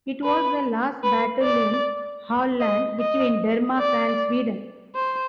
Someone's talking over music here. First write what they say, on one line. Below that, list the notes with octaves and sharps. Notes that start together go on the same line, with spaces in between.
It was the last battle in Halland between Denmark and Sweden.
B4
B4
D5
D#5
D#5
D5
C5